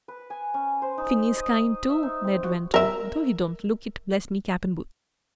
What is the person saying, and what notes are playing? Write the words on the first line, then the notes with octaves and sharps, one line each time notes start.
Finney's kind, too," Ned went on, "though he don't look it, bless me cap and boots!
B4
G#5
C#4
C5
D#4
D#5
E5
D#4
C4
F#4
A#4 E5